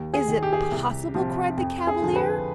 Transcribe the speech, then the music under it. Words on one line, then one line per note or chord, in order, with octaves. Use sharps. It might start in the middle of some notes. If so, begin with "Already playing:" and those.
"Is it possible?" cried the Cavalier.
Already playing: D#2
G#4
D#3
G4
G#4
G4
C2
C3 F3
F2
G#4
D3 F3
B4